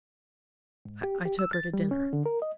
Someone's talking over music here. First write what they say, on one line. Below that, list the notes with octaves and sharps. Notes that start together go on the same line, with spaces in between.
I took her to dinner.
G#2
G4
G4
E6
A6
G3
C#4
D3
A#4
D#5